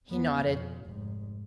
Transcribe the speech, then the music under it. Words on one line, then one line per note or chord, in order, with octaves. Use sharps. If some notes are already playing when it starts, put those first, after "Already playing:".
He nodded.
E2 B3
F2 B2
F1 G#2